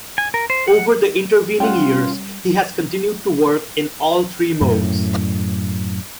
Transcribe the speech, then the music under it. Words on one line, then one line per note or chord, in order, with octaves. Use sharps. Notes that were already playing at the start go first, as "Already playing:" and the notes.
Over the intervening years, he has continued to work in all three modes.
G#5
A#4
C5
F#5
G3 C#4 F4 F#5 G5
F#2 A2